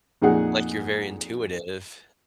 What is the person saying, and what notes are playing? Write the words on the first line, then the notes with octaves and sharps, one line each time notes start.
like you're very intuitive
F2 A#2 D#4 G#4 F#5